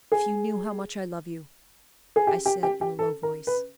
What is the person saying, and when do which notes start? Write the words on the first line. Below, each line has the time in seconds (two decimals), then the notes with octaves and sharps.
"If you knew how much I love you!" I said in a low voice.
0.12 G#4
2.16 G#4
2.27 G4
2.46 G4
2.63 G4
2.81 G4
2.99 A4
3.23 A#4
3.47 B4